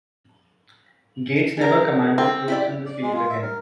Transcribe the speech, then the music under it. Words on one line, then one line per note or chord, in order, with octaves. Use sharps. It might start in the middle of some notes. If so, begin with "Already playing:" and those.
Gates never commanded troops in the field again.
G#4 A#4
C4
E4 G4 D5
D5
G#3
F4
E5
A#4